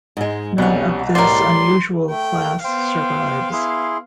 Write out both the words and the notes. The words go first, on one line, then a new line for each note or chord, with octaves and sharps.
None of this unusual class survives.
G#2 G#3
C2 B2 G3 C#4
A2 G3 A#4 D5 C6
A3 G5
B3 C5 F5 G5
E4 G#4 C6